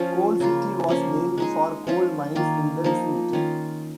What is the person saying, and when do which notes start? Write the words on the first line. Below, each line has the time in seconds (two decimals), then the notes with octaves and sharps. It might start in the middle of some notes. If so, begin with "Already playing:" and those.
Coal City was named for coal mines in the vicinity.
Already playing: F3 C#4 F4
0.40 C#3 A#3 F4
0.88 F3 A#3 C#4
1.38 G#3 D#4 G#4
1.87 F3 C#4 F4
2.35 D#3 A#3 F4
2.84 F3 A#3 D#4
3.33 D#3 C#4 F4